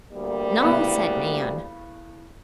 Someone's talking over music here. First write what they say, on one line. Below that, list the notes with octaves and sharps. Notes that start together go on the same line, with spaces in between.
"No," said Nan.
D2 G3 A#3
A2 C#3 B3